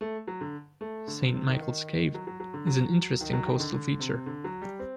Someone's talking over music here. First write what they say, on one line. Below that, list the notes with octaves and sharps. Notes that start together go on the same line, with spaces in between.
Saint Michaels Cave is an interesting coastal feature.
A3
F#3
D3
A3
D3
C3
C3
D#3
D#3
F#3
F#3
F#3
D3
F#3
D#3
F#3
D#3
D3
D3
C3
D3
F#3
G3
C4